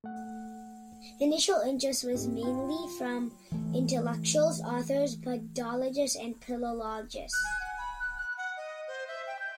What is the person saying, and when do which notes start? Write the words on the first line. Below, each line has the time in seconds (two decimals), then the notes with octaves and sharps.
Initial interest was mainly from intellectuals, authors, Buddhologists and Philologists.
0.04 A3 F#5
2.14 C2 G#2 C4 D#4 G4
2.43 F4 G5 C6
3.52 E3 A3
7.33 F#6
7.44 G#5
7.60 F#5
7.78 B5
7.99 F#6
8.17 F#6
8.37 F#5
8.57 D#5
8.88 C5
9.08 E5
9.27 G5
9.39 G6